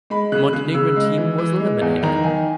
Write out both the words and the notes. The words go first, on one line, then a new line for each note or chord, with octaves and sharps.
Montenegrin team was eliminated.
G#3 B5
C#3 F#6
C#3 F#6
C#3 E6
G#3
E3
E3
G#3
E2
D#3 A#5
D#3 G#5